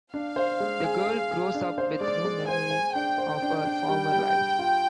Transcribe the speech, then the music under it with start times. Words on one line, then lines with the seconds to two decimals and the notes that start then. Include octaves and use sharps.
The girl grows up with no memory of her former life.
0.12 D4 F5
0.36 C5
0.60 G#3
0.84 G#4
1.07 G#4
1.31 G#4
1.55 D4
1.78 C5
2.01 G#3 D5
2.24 G#3
2.47 C5 G#5
2.71 C5
2.95 D4 G5
3.18 C5
3.42 D4
3.65 D4
3.88 G3
4.12 G3
4.36 G3
4.59 F4